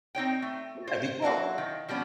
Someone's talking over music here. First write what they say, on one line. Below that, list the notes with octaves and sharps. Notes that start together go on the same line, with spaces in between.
Yeah, the e well,
C4 D#4 C#5 G5
A3
C5
F#3 E4 F#4 F5
D#3
F3 G3 B3 C#4